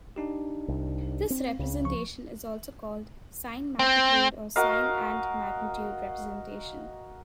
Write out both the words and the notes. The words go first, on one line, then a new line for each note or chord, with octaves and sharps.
This representation is also called "sign-magnitude" or "sign and magnitude" representation.
D4 D#4 G4
C2
C4
C#2 C#3
F3 C#6
C4
F#4 A#4 D#5 F5